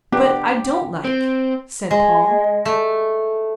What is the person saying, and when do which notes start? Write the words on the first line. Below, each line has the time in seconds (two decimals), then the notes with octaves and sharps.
"But I don't like," said Paul.
0.12 B3 D4 G4
1.04 C4
1.91 G#3
2.65 A3